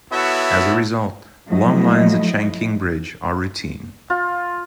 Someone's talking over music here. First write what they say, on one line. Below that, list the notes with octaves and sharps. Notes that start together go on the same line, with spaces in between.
As a result, long lines at Shangqing Bridge are routine.
B3 E4 F#4 A4 C#5 E5
F3 F#3 A3 E4 D#5
F4